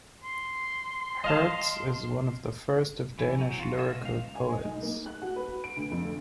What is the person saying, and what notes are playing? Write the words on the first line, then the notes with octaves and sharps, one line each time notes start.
Hertz is one of the first of Danish lyrical poets.
C6
D#5 F5 A5
E3
F#3
F4 F#4
D#5 E5
B2
C#2 F5
G#5
D#5
B1
A#3
F#6
F#4
B4
D7
D2
F2
D3